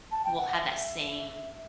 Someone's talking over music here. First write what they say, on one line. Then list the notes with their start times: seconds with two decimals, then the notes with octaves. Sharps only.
will have that same
0.11 A5
0.24 G5
0.37 F#5
0.50 F#5
0.54 E5